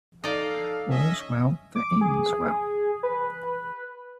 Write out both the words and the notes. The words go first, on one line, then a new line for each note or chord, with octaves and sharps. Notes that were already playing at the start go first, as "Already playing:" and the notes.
All's well that ends well.
D#4 A4 D5 F5
C#4 D#5 E5
D6
G#4
B4